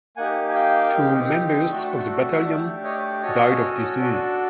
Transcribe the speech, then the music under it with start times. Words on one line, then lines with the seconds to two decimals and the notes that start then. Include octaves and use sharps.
Two members of the battalion died of disease.
0.17 A#3 D#4 G4 F#5 G#5
0.49 G#5
0.55 F5 G5
0.93 C4 D#4 G4
1.70 A3 D4 F#4 A4
2.45 A3 D4 G4 D5 E5
2.84 C#5 D#5
3.22 C#4 F#4 A4 C#5 D#5
3.98 D4 F#4 A4